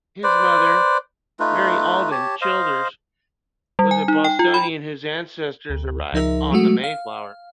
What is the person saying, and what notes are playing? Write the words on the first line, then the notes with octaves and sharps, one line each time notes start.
His mother, Mary Alden Childers was a Bostonian whose ancestors arrived on the "Mayflower".
B4 C5 D5
A3 D#4 F4 B4
G4 C#5 A5
C5 D#5 F5
G3
G#5
D#4
G5
F4
B5
D2
C#2 F3 D#4 A#4 E5
F#3 G#3 A3 F#4
F5